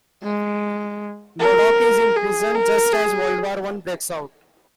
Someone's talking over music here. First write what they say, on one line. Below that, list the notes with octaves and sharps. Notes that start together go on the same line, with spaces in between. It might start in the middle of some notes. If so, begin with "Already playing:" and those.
Lodocq is imprisoned just as World War One breaks out.
G#3
A#4
G#4
A#4
G#4